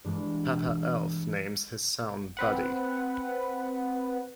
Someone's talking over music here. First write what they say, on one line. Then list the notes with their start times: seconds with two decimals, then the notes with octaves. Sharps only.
Papa Elf names his son Buddy.
0.04 G2 E3 G#3
2.37 C4 B4 F#5